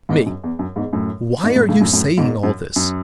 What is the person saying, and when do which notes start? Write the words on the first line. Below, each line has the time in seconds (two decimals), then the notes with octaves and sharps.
ME: Why are you saying all this?
0.09 E2 G#2
0.26 F#2
0.44 E2
0.59 F#2
0.76 E2 G#2
0.93 F#2 A2
1.43 E2 G#2
1.56 F#2 A2
1.69 A2 C#3
1.81 F#2 A2
1.93 F#2 A2
2.18 E2 G#2
2.43 F#2
2.76 F#2